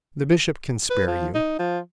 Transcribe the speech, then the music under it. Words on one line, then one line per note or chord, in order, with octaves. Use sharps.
The bishop can spare you.
B4
F3
D#4
F3